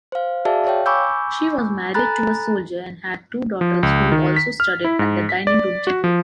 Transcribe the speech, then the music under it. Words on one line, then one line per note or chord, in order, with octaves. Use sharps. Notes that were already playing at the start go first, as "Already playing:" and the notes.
She was married to a soldier and had two daughters who also studied at the dining room table.
C5 F5
F#4 G#4 D5 E5 F5 A5
C#5 F5 G5
G#5 B5 C#6 D6 E6 G6
A4 G#5 A#5 B5 F#6 A6
F3
C#2
D#3
B6
F6
E4
G#2
B6
D5
F#4
F3